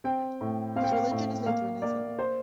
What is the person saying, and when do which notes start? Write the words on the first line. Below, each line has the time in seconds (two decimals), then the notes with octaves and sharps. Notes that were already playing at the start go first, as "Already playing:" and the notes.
His religion is Lutheranism.
0.04 C4 G5
0.41 A2
0.76 C4 F5
0.84 G5
0.92 F5
1.11 A2
1.46 A#3 F5
1.82 A#3 D5
2.19 C5